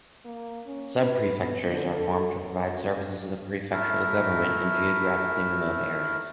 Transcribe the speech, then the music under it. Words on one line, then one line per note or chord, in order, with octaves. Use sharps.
Subprefectures are formed to provide services of the prefectural government in geographically remote areas.
A#3
C#4
B4
B3
D3
A4
F#2
A3 E4 A#4